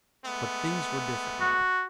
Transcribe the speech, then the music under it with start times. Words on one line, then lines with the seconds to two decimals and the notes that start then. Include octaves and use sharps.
But things were different now.
0.24 G#3 A3 B3
1.40 F#4